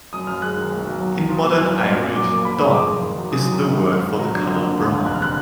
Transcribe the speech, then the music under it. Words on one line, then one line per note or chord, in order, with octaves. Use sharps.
In modern Irish, "donn" is the word for the colour brown.
F#2 D#6
F#2 F6
G#3 F#6
D#3
B1
B1
F#3
F#3
F3
B3
F#6
F#2 F6
F3
A#2
A#1
F#3 D6
A#3 D6
F#1 B5
G#3 D#6
F3 D6
F3
D#3
F#3
F#2 D#6
D#3
G#1
G#1
G#2 F6
G#1
F#3
D3
A#3
D3
D#2
F1
F1 F#6
F6
D3 F#6